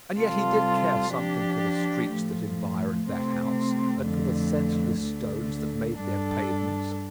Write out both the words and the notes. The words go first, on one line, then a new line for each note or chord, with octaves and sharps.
And yet he did care something for the streets that environed that house, and for the senseless stones that made their pavements.
C3 G3 F4 A4
F3 D4 G4
A2 F3 A3
C3 A3 C4
F2 D3 A3
D2 D3 A3
G2 G3 D4 A4